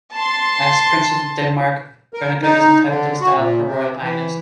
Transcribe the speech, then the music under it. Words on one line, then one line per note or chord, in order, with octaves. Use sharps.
As Princess of Denmark, Benedikte is entitled to the style "Her Royal Highness".
A5 C6
A#4
D#4
D3
F#4
A#2
C3
E3